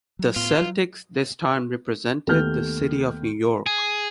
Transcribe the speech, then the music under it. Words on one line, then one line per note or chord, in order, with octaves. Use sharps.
The Celtics this time represented the city of New York.
F#3
A2 B3 F4
F#3
D#2 A3 B3 G4 F6 G6
G#4